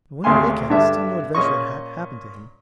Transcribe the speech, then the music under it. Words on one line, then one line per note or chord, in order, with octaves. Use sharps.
But when he awakened still no adventure had happened to him.
G#1 D2 C3 F5 G#5 C6
G2 D3 D4 E5
A#2 C#4 D#5 C#6